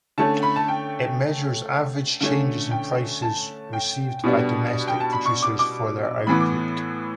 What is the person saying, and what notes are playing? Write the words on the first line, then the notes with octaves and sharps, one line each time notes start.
It measures average changes in prices received by domestic producers for their output.
D3 A3 C#4 A5
B5
A5
G5
D3 A3 C#4
G5
A5
G5
B2 G3 B3 D4
G5
A5
B5
C#6
D6
D6
A2 E3 B3 B5
D6